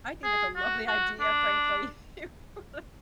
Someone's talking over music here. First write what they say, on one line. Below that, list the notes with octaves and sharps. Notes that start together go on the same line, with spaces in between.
I think that's a lovely idea, frankly. Here you could
G#4
F#4
F#4
D4